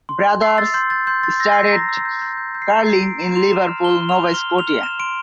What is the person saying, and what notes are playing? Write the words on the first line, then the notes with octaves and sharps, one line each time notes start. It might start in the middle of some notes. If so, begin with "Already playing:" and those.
Brothers started curling in Liverpool, Nova Scotia.
C6
C6
E6 C7
E6 A6
C6 G6
G6 A6
C6 G6
C6 A6
E6 A#6
E6 C7
A#6
A#5
E6
G6
G6
G6
G6
C7
A#5
A#5 C7
G6 D7
A#5 E7
C6 F7
C6 E7
F6
F6 G7
C6
F7
C6
F6 G7
F6
F7
F6
F6 E7
C6 D7